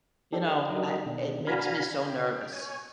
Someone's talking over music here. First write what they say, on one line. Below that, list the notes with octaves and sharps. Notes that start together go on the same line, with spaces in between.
you know, I it makes me so nervous.
D4 D#4 G4 A4
F#3 D4 D#4 G4 A#4 D#5
B2 D#3 D4
D4 F#4 F5 G#5 A#5 B5
G5
C#5 G#5